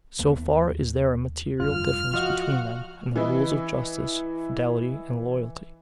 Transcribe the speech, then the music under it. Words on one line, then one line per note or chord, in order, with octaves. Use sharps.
So far is there a material difference between them and the rules of justice, fidelity, and loyalty.
D#2 A3 B3
F1 G2 F4 F6
F3 F4 F#4 D#5 F5
E3 E4 D#5